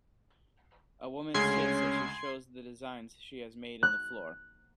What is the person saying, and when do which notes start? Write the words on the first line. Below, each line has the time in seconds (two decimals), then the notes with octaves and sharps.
A woman sits as she shows the designs she has made in the floor.
1.34 D2 C#3 G#3 C#4 C6 G#6 C7
3.83 F#6